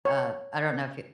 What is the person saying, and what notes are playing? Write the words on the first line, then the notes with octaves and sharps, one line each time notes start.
Uh, I don't know if you
C#5